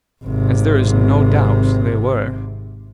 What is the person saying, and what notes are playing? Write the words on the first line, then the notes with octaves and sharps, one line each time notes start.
As there is no doubt they were.
G#1 C3